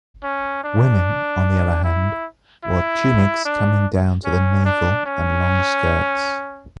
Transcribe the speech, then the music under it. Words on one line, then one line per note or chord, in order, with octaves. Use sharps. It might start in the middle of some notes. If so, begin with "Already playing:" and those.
Women, on the other hand, wore tunics coming down to the navel and long skirts.
C#4
D4
E4
E4
D4
C#4
D4
C#4